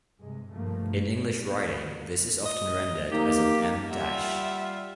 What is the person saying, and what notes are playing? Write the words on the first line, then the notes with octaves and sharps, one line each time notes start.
In English writing, this is often rendered as an em dash.
G2 C3 G#3
G2 B2 F3 A3 A#3
D#5
A#3 D#4 G4
G3 F4 E5 F#5